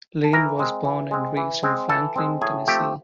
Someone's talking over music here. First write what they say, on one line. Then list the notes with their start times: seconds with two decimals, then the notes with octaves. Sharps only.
Lane was born and raised in Franklin, Tennessee.
0.24 A5
0.33 E3 A#4 A#5
0.59 G#3 C4
0.85 E3
1.11 G#3 C4
1.37 E3
1.63 G#3 C4
1.89 E3 A4 A5
2.16 G#3 C4
2.41 A2 G#4 G#5
2.67 F3 A3 C4 G4 G5